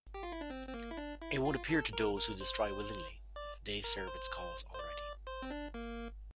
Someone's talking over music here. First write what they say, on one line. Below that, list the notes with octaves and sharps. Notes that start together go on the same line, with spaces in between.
It won't appear to those who destroy willingly - they serve its cause already.
G4
F4
E4
D4
C4
C4
A#3
E4
D4
E4
F4
A4
A#4
A#4
C5
D5
A#4
A#4
C5
C5
D5
C5
C4
D4
A#3